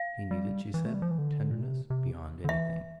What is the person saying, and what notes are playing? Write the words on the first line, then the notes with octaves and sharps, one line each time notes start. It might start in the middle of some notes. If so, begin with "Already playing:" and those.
He needed, she said, tenderness beyond anything.
Already playing: F5
G3
E3
A3
G3
F3
E3
D3
A#2
C3
C3
D3
E3 E5